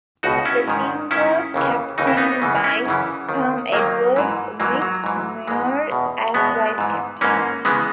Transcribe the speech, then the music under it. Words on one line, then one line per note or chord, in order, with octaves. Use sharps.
The team were captained by Pam Edwards, with Muir as vice-captain.
C#2 B2 D#4 F#4
C#4 E4
G#2 D#3
G#2 D#3 C#4 E4
D#2 C#3 E3
D#2 C#3 E3 D#4
E4
B3 D#4
F#2 C#3 E3
C#4 E4
F#2 C#3 E3
D#2 D#3
D#2 D#3 F#3 A#3
G#2 E3
G#2 E3 F#3 A#3
F#3
G#2 E3
G#2 E3 G#3
E2 B2
E2 B2 G#3 B3
G#2 E3
G#2 E3 A#3 C#4
C#3 E3 G#3 B3